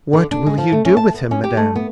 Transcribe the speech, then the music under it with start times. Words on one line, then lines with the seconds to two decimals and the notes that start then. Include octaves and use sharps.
"What will you do with him, madame?"
0.13 D3
0.31 D4
0.46 G#3
0.58 F3
0.72 A3
0.85 C#4
0.97 A5
1.14 B3
1.31 C#4
1.44 G4
1.57 A3
1.76 B3